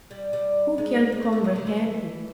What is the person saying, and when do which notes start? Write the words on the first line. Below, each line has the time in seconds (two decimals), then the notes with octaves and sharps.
Who can comprehend it?
0.11 G3
0.33 G3
0.78 G#3
1.12 G#3
1.22 A3
1.32 A3
1.44 D#3
1.56 D3
1.67 E3